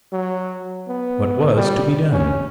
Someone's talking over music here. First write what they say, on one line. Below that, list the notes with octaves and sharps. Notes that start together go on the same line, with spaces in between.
What was to be done?
F#3
B3
G3
C#4